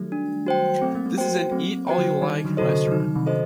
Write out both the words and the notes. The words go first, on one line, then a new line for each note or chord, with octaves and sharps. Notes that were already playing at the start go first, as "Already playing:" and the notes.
This is an Eat All You Like restaurant.
Already playing: D#3 F#3 G3 A3
D4
F#4 C5 G5
F#3 A3 C4
A#3
F#3 A3
F#4 C5 G5
F#3 A3 C4
F#4 C5 G5
D3 F#3
D#3 G3 D#4
D3 F#3
C3 F#4 A4 C5 D#5
D3
F#3
C3 D#3 D#4
C3 D#3
F#4 A4 C5 D#5